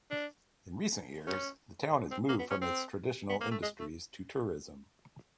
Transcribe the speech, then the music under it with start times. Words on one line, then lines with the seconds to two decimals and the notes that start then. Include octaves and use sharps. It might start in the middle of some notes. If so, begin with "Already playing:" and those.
In recent years the town has moved from its traditional industries to tourism.
0.11 D4
1.27 C#4
2.11 C4
2.29 A#3
2.39 B3
2.51 C#4
2.62 C4
3.30 B3
3.41 A#3
3.51 A3
3.63 G#3
3.80 A3